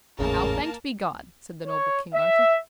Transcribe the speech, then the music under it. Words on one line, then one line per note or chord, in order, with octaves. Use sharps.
NOW thanked be God, said the noble King Arthur.
G#1 E2 A2 C#3 A#3 A#4 A5
C#5
E5